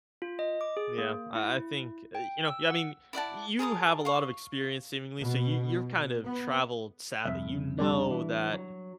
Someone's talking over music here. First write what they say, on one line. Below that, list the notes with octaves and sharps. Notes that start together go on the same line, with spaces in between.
Yeah, I I think, uh, you know yeah, I mean you have a lot of experience seemingly so y you're kind of travel savvy, you know that i
F4
D#5
D6
G#4
A#3
E4
G5
E6
F#5
E4 D5 F#5 A5
G#4 A#4 A5 D#6
F5 C#6
B2
B3
C2 F2 E5
G3 D4 D5
E3
F#3